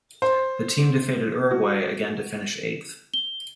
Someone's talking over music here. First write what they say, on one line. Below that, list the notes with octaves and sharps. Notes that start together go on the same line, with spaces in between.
The team defeated Uruguay again to finish eighth.
C5
F#4
G7